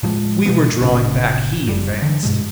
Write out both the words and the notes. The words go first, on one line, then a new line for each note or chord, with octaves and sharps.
We were drawing back, he advanced!
A2 F3 G#3
B2 E3 B3
G1 A#2 C#3 C#4
F#1 G3
D3 E3
G2 B2 G#3